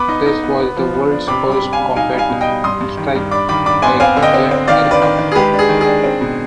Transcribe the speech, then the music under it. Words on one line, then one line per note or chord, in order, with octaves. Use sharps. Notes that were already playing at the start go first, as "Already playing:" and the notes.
This was the world's first combat strike by jet aircraft.
Already playing: B3 B5 D6
D#4
D#4
B3
B3
F3
B3
D4
C3 B5 D6
G3
B5 D6
C3
F5 G#5
G3
D#4 F5 G#5
G3
F5 G#5
B2
D#5 G5
G3
G2 C6 D#6
G2
D#3
G2
D4 B5 D6
D#3 B5 D6
D4 B5 D6
B3 G#5 C6
C4 F5 G#5
D3
D#5 G5
C4
C4
D#3 D5 F5
D4
B4 D5
D#3
D#3
G#4
G#3 G4 B4
D4
G#4
D#3
G#4
D4
C4
B2